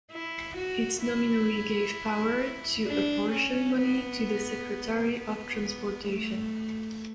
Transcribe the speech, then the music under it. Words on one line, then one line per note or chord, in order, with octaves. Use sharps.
It nominally gave power to apportion money to the Secretary of Transportation.
E4
F#4
E4
D4
C#4
B3
B3
A3